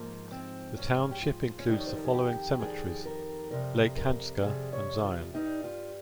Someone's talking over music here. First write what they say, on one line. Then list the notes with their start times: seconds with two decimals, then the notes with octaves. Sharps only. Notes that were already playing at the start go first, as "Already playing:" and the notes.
The township includes the following cemeteries: Lake Hanska and Zion.
Already playing: G#2 F3 A#3
0.31 C4
0.76 G#2 F3 C#4
1.11 G4
1.22 F4
1.59 C#4
1.68 F2 D#3 G3 D#4
1.79 C#5
1.87 C5
1.97 A#4
2.05 G#4
2.13 G4
2.53 G4
2.59 F2 D#3 G3 G#4
3.05 A#4
3.51 F2 C3 G3 A#4
3.97 A#4
4.42 F2 C3 G3 G#4
4.73 C#5
5.04 F4
5.34 G2 G3 D#4
5.64 F4